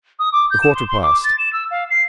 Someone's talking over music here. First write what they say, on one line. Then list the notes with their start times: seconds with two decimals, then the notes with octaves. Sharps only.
A quarter past.
0.19 D#6
0.32 D6
0.50 G6
0.62 E7
0.74 C6
0.88 C6
1.02 D6
1.24 A6
1.38 E7
1.53 E6
1.71 F5
1.90 C7